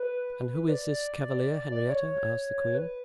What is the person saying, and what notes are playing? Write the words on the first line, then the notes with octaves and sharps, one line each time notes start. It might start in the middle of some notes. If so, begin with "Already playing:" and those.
"And who is this cavalier, Henrietta?" asked the queen.
Already playing: B4
D5
D5
D5
D5
C#5
B4